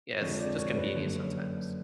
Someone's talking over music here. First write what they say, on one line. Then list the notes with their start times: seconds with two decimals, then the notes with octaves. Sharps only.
yeah, it's just convenient sometimes.
0.21 F2 D3 F3 G#3 C#5
0.39 D5
0.59 C#5
0.77 B4
0.95 F#1 F#2 D3